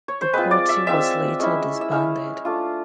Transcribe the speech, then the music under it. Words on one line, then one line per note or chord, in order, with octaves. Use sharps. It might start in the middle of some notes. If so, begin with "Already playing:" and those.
The party was later disbanded.
C#5
C5
G#3 C4 F4 B4
D5
E5
G#3 C4 F4 E5
G#3 C#4 E4
E5
G#3 C#4 E4 F5
A3 D4 F4